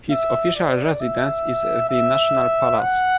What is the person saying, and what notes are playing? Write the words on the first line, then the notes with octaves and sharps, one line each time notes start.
His official residence is the National Palace.
E5
D5
E5
E5
F#5